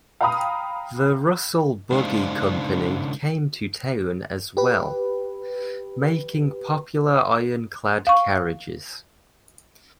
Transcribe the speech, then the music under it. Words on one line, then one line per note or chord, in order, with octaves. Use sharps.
The Russell Buggy Company came to town as well, making popular ironclad carriages.
F5 G5 A#5 B5 D#6
C#3 G#3 D4 D#4 C5 F5
G4 B4
F5 C#6